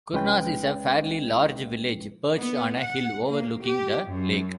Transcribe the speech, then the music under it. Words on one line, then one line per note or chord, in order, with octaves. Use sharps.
Kournas is a fairly large village perched on a hill overlooking the lake.
C2 G#3 C#4 B4 G5
B3
F#5
A#3
G4
F#2